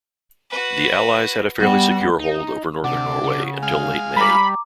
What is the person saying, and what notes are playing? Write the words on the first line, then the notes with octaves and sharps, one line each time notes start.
The Allies had a fairly secure hold over northern Norway until late May.
F#4 B4
G3 B3 F#4
D#4
C3 D4 F#5
C#3
G#3 F5
G3 A#5 B5 D6